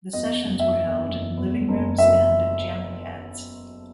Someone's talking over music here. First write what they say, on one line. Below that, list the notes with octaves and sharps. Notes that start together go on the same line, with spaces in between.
The sessions were held in living rooms and jam pads.
E2 D#5
F#1
E5
E2
F#1
E2
F#1
F#1 E5